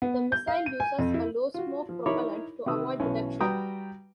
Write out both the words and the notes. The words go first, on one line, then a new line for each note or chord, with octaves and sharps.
The missile uses a low-smoke propellant to avoid detection.
B3
G6
F5
D#7
G#5
F2
E4
F4 F#4
F3
D#4 E4 A#4 C#5 B5 D6
C3 D#3 B4 D#6 E6
B1 E3 C#4
G3 F#4 B4 G5 A#5 D#6